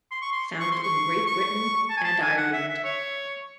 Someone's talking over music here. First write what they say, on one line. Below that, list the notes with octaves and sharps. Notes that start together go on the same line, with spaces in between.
Found in Great Britain and Ireland.
C6
C#6
C6
C#6
C6
C#6
C#6
A5
G#5
A5
G#5
F#5
E5
E5
C#5